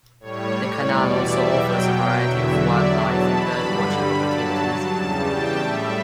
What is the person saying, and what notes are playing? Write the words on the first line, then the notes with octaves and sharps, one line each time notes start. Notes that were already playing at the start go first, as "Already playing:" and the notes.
The Canal also offers a variety of wildlife and birdwatching opportunities.
A2 G3 C#5
E2 B2 G3 D5
E5
B2 F#3 G5
G5
E2 D3 F#3 E5
D5
E2 B2 F#3 A5
B5
G2 D3 G3 B5
B5
G2 F#3 A5
E2 C#3 G3
G5
A2 G3 E5